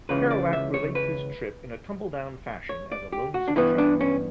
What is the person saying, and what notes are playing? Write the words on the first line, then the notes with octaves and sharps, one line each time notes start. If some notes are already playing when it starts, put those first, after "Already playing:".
Kerouac relates his trip in a tumbledown fashion as a lonesome traveler.
C#2 C#3 E3 B4
D5
E5
C#5
B4
C#5
D5
G4
F#4
D4
G2 E3 B3 E4
D4
C#4